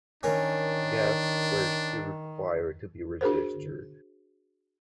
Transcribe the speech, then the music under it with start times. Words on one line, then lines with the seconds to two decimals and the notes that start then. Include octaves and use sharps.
Guests were still required to be registered.
0.23 D#3 C#4 D4 A#4
3.21 D4 F#4 G#4 A#4 C5